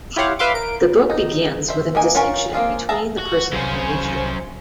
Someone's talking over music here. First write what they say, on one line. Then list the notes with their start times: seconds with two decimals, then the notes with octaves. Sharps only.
The book begins with a distinction between the person and nature.
0.16 E4 F4 G4 C#5 F5 F#5
0.39 B4 E5 F5 C6 D6
0.54 A#4 D7
1.10 D#4
1.68 C5 E5
1.95 A#3 D#4 G#5
2.15 C#4 F4 A#4 C#5 G#5
2.53 A#3 C4 F4 G#4
2.89 G#4 E5 A5 A#5
3.19 F#4
3.52 C2 F#2 C#3 C#4 C5